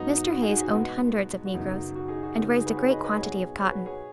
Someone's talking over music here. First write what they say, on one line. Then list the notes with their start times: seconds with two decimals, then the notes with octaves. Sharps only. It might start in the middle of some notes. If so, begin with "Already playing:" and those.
Mr. Hayes owned hundreds of negroes, and raised a great quantity of cotton.
Already playing: G#2 F#3 B3 D#4
0.32 F#4
0.42 D#4 G#4
0.52 F#4
0.63 F#4
0.73 B2 G#3 B3
1.45 F#4
1.54 F#2 C#3 F#3 B3 D#4
1.96 F#4
2.08 D#4 G#4
2.23 F#4
2.35 C#3 G#3 B3 D#4
2.46 F#4
2.56 D#4 G#4
2.66 F#4 B4
2.77 G#4 C#5
2.90 B4 D#5
3.04 B4 D#5
3.17 B2 F#3 B3 G#4 C#5
3.58 G#4 C#5
3.71 F#4 B4
3.86 G#4 C#5